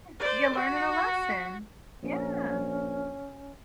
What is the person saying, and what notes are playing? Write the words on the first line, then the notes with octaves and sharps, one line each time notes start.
Yeah, you're learning a lesson, yeah.
C5 D5
F#4
A#1 C#4